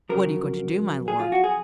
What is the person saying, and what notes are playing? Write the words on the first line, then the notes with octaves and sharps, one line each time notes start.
"What are you going to do, my lord?"
F2 C#3 F#3 A#4
G#4
F4
F#4
G#4